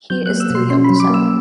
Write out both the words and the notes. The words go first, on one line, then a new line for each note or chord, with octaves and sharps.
He is too young to settle.
F#3 G6
A#3 F#6
E6
B2 C6
C#4 C6
B5
F#3
D6
A#3 E6